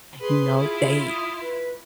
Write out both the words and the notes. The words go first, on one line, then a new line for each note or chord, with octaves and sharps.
You know, they
G#4 B4 C6
E4 F4
D#6
B4